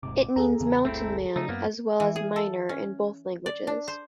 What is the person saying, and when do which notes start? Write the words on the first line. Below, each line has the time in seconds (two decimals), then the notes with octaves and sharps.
It means "mountain man" as well as "miner" in both languages.
0.03 D#1 G#2 C3 D6
0.36 D#2 G#4 A4 A#5
0.60 E2 C#3 E3
0.85 G1 D2 A3 C4 E4
1.36 C#3 A3 C#4 D#4
1.49 F#2 A#3 B3
2.00 E3
2.16 G#4
2.36 A4
2.69 C#4
3.46 D5
3.67 D4
3.88 C5